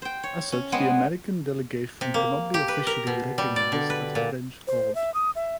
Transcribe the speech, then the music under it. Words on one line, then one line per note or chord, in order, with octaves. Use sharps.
As such, the American delegation could not be officially recognized at the French Court.
C5 G5
C#5
C#4
G#3 B3 C4 F#5 G#5
C3
A#3
G4
B4
A#4
B2
G3
D5
D3
B4
A#2
C5
E5
D#6
E5